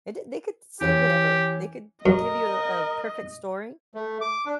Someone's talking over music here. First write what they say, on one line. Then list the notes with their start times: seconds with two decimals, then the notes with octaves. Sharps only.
and the they could say whatever they could g give you a a perfect story.
0.81 E3 C#4 G4
2.06 F#2 A#4 D#5
3.94 A3
4.21 D6
4.46 D4